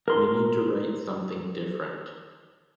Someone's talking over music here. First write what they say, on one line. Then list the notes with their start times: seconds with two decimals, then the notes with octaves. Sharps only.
We need to write something different.
0.08 A#4 C6